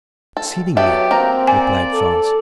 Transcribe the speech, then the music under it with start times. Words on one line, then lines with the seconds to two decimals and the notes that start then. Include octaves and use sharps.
"Exceedingly," replied Franz.
0.37 A4
0.77 F#3 B3 G4 A4 E5
1.11 A#3 C4 A#5
1.47 D5 G#5
1.93 A4